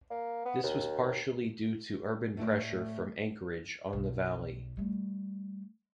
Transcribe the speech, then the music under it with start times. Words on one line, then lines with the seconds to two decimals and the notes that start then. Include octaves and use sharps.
This was partially due to urban pressure from Anchorage on the valley.
0.10 A#3
0.46 B3
0.63 D#2
2.37 A2 A3 E4 D5
3.93 B1
4.77 G3 A3